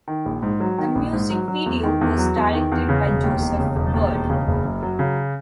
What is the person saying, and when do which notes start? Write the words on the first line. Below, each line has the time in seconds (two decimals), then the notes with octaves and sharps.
The music video was directed by Joseph Bird.
0.08 D#3
0.26 A#1
0.42 G#2
0.60 F#3
0.78 D#3
0.95 A#1
1.13 G#2
1.30 F#3
1.48 F#3
1.66 E2
1.83 D#3
2.01 E2
2.18 F#3
2.36 E2
2.53 D#3
2.72 E2
2.89 C#3
3.06 E1
3.24 D#2
3.42 E1
3.60 C#3
3.76 E1
3.94 D#2
4.12 E1
4.30 C#3
4.47 F#1
4.65 F#2
4.83 F#3
4.99 C#3